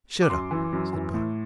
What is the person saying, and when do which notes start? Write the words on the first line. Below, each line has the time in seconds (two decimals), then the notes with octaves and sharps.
"Shut up," said Buck.
0.22 D6
0.30 F#2 C6
0.51 E3
0.72 F#2
0.93 E3
1.14 A2